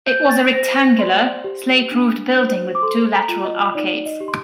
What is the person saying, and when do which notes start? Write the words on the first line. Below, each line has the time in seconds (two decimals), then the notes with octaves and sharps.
It was a rectangular, slate-roofed building with two lateral arcades.
0.06 C5 G6
0.29 A6
0.52 C5 A#6
0.76 A#6
0.99 D5 C6
1.44 G4
1.91 D4
2.37 C5
2.75 D6
2.82 A4 C6
3.13 A#5
3.29 F4
3.45 D#5
3.75 D#4 D5
4.06 D#5
4.20 G4
4.28 C6